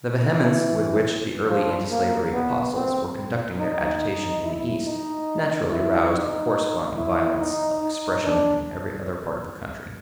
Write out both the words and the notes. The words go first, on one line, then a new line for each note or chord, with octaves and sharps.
The vehemence with which the early antislavery apostles were conducting their agitation in the East naturally roused a corresponding violence of expression in every other part of the country.
E3
F3
A#3
B3
C4
D#4
D#4
E4
D#4
E4
D#4
E4
D#4
D#4
D4